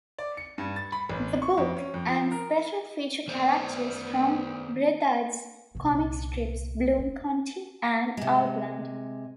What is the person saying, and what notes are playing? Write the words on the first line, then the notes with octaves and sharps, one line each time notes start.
The book and special feature characters from Breathed's comic strips "Bloom County" and "Outland".
D5
C#7
G2
A6
B5
A1
C#6
F2
C#4
F2
F3
A#4
D#3 B3 C5 D5
C2 A#2
C4
C3 G#3